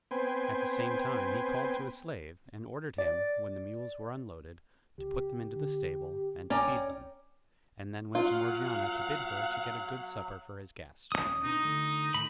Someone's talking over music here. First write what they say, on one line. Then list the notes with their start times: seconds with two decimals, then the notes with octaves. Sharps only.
At the same time he called to a slave, and ordered him, when the mules were unloaded, to put them into the stable, and to feed them; and then went to Morgiana to bid her to get a good supper for his guest.
0.11 B3 C4 B4 C5 G5 G#5
2.98 D5
4.98 C#2 G4
5.55 D3
6.50 A1 C#4 D5 G5 A#5 D6
8.15 F#3 F4 F5 F#5
11.12 D#1 C3 C#4 D#6
11.44 B2 D4 D#4
11.64 D2 D3
12.14 D1 A2 D#3 B5